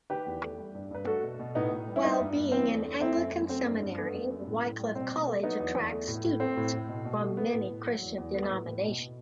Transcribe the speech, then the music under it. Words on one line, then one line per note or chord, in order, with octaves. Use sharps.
While being an Anglican seminary, Wycliffe College attracts students from many Christian denominations.
D#3 G4 B4
E2
A3
G3
G2
G2 B4
A3 F#4 A4
B2
B2
A2 B3 D#4
A2
G3
E4
G3 B3 D#4
G2
G2
E3 C4
E2
A3
A3 C4 E4
F#2
F#2
A3 C4
G2
G2
A3 B3
F#2
F#2
A2
A2
G3
B2 C4
B2
A3
F#3 B3 D#4
E2
E2
A3
A2
A2
A3 C4
A2
A2
B2
B2
A3
A3 B3
A2
A2
F#3
E2
E2
A3 B3
A2
A2
B2
B2